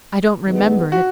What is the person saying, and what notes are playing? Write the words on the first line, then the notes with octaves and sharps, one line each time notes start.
I don't remember it.
G2 D#3 G#3 B3
F#4